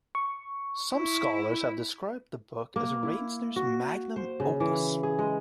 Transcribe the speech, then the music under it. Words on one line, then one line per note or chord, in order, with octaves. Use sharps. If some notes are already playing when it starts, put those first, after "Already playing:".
Some scholars have described the book as Reisner's magnum opus.
C#6
E4
A#3
E4
F#4
C5
C#3
E3
G#4
G#3